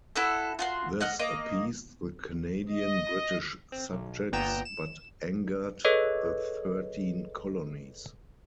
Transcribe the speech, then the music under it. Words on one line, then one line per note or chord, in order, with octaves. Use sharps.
This appeased the Canadien British subjects but angered the Thirteen Colonies.
E4 F#4 A4
F4 F#4 C6
D#5 F#5 F6
A#3 D#5 D6
D#5
C4
B1
G1 A#2 B3 G5 A#5 E7
E7
G#4 A4 B4 C#5 D#5